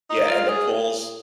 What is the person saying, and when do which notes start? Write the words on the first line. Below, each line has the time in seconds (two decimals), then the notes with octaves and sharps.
yeah, and the pools
0.10 D#4
0.29 F4
0.49 G#4